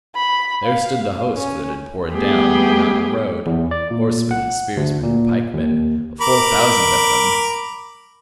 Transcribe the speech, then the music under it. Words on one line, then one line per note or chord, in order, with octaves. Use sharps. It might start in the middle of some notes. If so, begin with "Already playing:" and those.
There stood the host that had poured down the mountain road, horsemen, spearsmen, pikemen--a full thousand of them.
B5
F5
C#4
G3 A3 B3 G4 G#4
E2
D5
A#2
F#5
D2
A#2
D#2
A#4 B5 D6